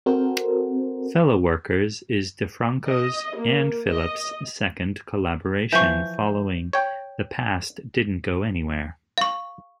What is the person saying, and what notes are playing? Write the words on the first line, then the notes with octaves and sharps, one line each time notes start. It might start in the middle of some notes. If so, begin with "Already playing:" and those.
"Fellow Workers" is DiFranco's and Phillip's second collaboration, following "The Past Didn't Go Anywhere".
C4 F#4 A4 A#4 C5
D#5
A#3
D#5
E3 F3 C#6 G6
C#5 G5
F5 C#6